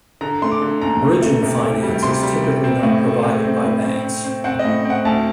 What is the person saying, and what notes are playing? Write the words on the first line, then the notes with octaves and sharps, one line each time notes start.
Bridging finance is typically not provided by banks.
D3 A#5
A3 C6
D6
D3
D#2 A#5
A3
A3
C3
D2
G3
C3 C6
G3
C3
C4
A2
A3
C4
C4
A2
C4
C4
C4
C4 F#5
D#5
A2
C4 F#5
D2 A5